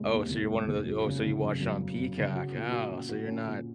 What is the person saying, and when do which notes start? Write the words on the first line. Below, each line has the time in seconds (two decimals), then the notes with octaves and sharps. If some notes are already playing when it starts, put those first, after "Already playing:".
Oh, so you're one of tho oh, so you watched it on Peacock. Oh, so you're not,
Already playing: F1 D#2 G#3
0.12 D#2
0.30 F1
0.50 G#3
0.67 F1
0.86 F#3
1.05 C#3
1.23 C#3
1.43 F#2
1.60 F#2
1.80 F#2
1.97 F#2
2.17 C#3
2.36 F#4
2.54 A#2
2.72 F#4
2.91 C#4
3.09 F#4
3.28 C#4
3.47 A#2